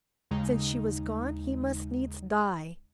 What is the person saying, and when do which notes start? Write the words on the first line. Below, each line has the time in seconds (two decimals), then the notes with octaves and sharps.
Since she was gone, he must needs die.
0.31 D#2 C#3 G#3 D#4